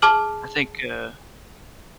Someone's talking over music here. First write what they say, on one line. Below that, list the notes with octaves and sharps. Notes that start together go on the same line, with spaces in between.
I think, uh
G#4 A5 D6 F6 F#7